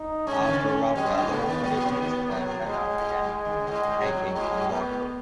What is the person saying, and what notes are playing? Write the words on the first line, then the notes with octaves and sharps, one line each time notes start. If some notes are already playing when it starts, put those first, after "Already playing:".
After rough weather conditions, the "Jeddah" began taking on water.
Already playing: D#4
G#3 C#4
D#3
C#3
D#3 C#4
F#3 G#3
F#2
G#2
C#3 B3
D#3
F#3
G#2
B2
C#3
D#3
B2 F#3
G#2 G#3
G#2
G#3
D#3
C#3
G#2 G#3
G#2
B2 F#3
G#2
G#2
G#2 G#3
G#2 B3